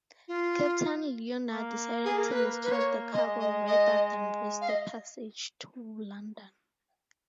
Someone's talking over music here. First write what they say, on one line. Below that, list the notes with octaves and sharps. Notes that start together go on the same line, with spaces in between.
Captain Leonard decided to discharge the cargo rather than risk the passage to London.
F4
A#3
G#4
A#4
B4
B4
C#5
G#3 D#5
D#5
D#5
F5
D#5